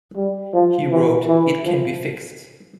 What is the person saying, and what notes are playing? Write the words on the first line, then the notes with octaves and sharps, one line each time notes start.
He wrote It Can Be Fixed!
G3
F3
E3
E3
F3